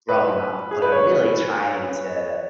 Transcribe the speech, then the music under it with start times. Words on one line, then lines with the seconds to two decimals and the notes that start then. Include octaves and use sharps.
growing up, but I'm really trying to
0.09 B4
0.71 G#4
0.82 B4
0.92 C#5